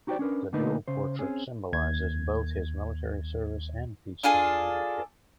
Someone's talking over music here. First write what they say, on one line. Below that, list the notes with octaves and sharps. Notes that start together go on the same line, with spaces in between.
The dual portrait symbolizes both his military service and peacetime leadership.
D#4 F#4 G4 A4 C5 D5
C#4 D4 A#4 B4
D3 A3 A#3 D#4 B4
C#3 C5
C4 C#4 G#4
D#2 G#6
D4 F4 G#4 A4